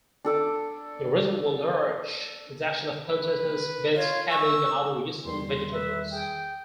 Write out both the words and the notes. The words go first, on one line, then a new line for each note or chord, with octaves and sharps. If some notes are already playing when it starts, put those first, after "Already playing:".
The result was large production of potatoes, beets, cabbage and other useful vegetables.
D4 A4 D6
B4
F4 C#5
C#6 E6
E2 D#3 G3 C6
B4 E5
G#4 G5